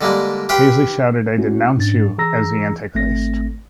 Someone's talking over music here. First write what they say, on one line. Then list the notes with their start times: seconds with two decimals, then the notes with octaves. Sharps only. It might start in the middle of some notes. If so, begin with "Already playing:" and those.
Paisley shouted I denounce you as the Antichrist!
0.01 D3 G3 G#3 A#3
0.49 G4 B4 F5 G5 C6
1.38 A3 C#4 E4 F#4
1.78 G#2 C#4 D4 A6
2.18 E3 G#4 A#5 E6 A#6
2.95 G#1 A3 C4 A#6